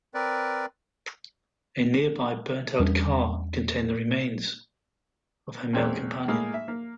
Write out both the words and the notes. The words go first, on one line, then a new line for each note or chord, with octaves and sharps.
A nearby burned-out car contained the remains of her male companion.
C4 A#4 B4 D5
E2 G3 C#4 D4
E2 G#3 C4 C#4
A2 G#3 A#3 G#4
E5
A#3